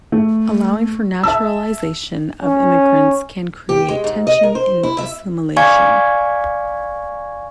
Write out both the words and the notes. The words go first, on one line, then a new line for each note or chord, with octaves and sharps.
Allowing for naturalization of immigrants can create tension in assimilation.
A3
E5 A5 E6
C#4
G4
G#3
G#2
D#5
A#4
C5
E4
E5
D5 F5 G#5 C#6 G#6